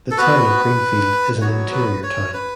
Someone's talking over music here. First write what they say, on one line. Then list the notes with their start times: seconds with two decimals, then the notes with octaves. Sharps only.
The Town of Greenfield is an interior town.
0.11 A4
0.18 B3 F#4 B4
1.41 F#3 B3 F#4 C#5
1.72 B4
2.03 C#5
2.33 B4